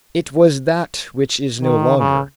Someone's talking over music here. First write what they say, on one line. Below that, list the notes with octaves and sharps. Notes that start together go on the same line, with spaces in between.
It was that which is no longer.
D#3
C#3